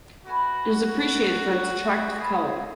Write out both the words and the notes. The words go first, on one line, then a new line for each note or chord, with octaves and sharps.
It is appreciated for its attractive color.
B3 E4 F#4 B4 G#5
F#4
C#4 G#4 C#5 G#5
E4 G#4 B4 E5 G#5